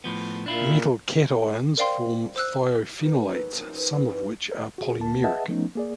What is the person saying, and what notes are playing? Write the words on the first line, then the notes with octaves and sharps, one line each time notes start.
Metal cations form thiophenolates, some of which are polymeric.
A2 F3 B3
A#2 D4 E4 F4
A#4 C5 D5 F5 G5 C6
C5 E6 F#6
A#3 B3 D#4
G#4 A4 B4 C#5 F#5 A#5
F3 A#3 C#4 D#4 F#4 G4
C4 B4 C#5 D#5 G#5
F#3 B3 C4
G#2 C#3 E3 G3
F#4 G#4
D2 A#3 A5
G#4 B4 D#5 E5 F#5 A5
F3 A3 B3 C#4 D#4
A#3 G#4 D5